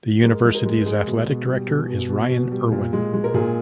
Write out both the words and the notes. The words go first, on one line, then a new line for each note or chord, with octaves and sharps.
The university's athletic director is Ryan Erwin.
G#3 A#4
G#3
A#4
G#3
A#4
G#3 G#4
B2
B2
G3
B2
B2
B2
B2
G3
A#2
G#3
G#3
A#4
A#2 G#4